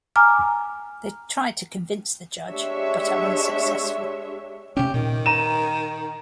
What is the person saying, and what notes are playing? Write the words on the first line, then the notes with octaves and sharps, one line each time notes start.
They try to convince the judge, but are unsuccessful.
G#5 A#5 D6 F6
G#3 D4 G4 C#5 E5
C3 C#4 G4
A#2 D#3
A#5 D#7 E7